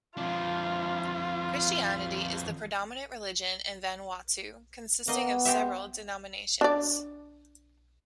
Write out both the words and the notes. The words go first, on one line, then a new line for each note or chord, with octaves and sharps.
Christianity is the predominant religion in Vanuatu, consisting of several denominations.
F2 D4 F4
A#3 B3 D#5
C4 G4 E5
D4 D5